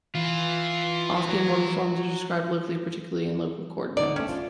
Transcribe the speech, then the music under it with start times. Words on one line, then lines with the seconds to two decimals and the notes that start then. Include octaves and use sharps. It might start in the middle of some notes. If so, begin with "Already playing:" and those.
Often one-forms are described locally, particularly in local coordinates.
0.15 E3 F4
1.29 F#3
3.97 D3 D#4 D5
4.16 A3 C4 C#4
4.29 D4 F4